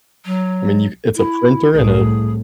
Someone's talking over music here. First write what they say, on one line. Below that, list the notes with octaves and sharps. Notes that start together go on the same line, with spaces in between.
I mean, you c it's a printer and a
F#3
E4
C2 A2 G#4